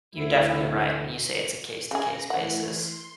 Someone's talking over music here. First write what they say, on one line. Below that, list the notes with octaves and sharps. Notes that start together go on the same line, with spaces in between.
you're definitely right when you say it's a case-to-case basis.
D2 E4
C#3 G#4 A#6
E3 A3 E4 F#5
C6